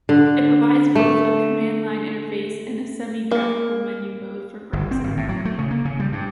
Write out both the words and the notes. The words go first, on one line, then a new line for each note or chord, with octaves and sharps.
It provides both a command-line interface and a semi-graphical menu mode for browsing.
D3
A3
A#3
G1
C4
G#1
A2
F#3
A3
C#3
A#3
C#3
G3
G2